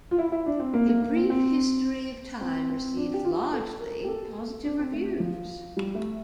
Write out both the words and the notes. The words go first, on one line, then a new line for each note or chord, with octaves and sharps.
"A Brief History of Time" received largely positive reviews.
F4
E4
E4
D4
C4
A#3
A#3
A#3
C4
C4
C4
C4
D4
G4
F4
A4
A#4
G4
A4
D4
C4
A3
F3
G3
A3